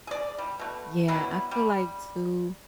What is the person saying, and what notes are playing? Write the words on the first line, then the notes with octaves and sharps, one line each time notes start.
Yeah, I feel like too,
G#4 D5
G3
B2 A3
F#3 G3 B3 E4
G3